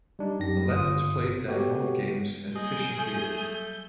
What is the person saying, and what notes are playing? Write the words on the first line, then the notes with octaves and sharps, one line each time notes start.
The Leopards played their home games at Fisher Field.
G3 D4 D#4
F#2 G4 A#6
G1 F4 D#6
A3 B3 F#4 G4 C#5
F#3 G3 A#3 G#4 D#5 G6
A3